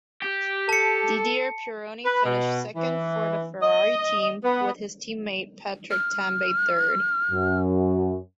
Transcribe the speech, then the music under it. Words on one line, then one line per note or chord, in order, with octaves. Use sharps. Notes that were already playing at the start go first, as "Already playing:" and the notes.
Didier Pironi finished second for the Ferrari team with his teammate Patrick Tambay third.
G4
A4 A5 C#7
B4
B2
E3
D#5
B3
F6
F#2